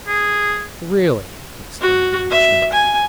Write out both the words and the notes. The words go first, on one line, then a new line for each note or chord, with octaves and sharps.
"Really!" exclaimed the Englishman.
G#4
F#4
E5
G#5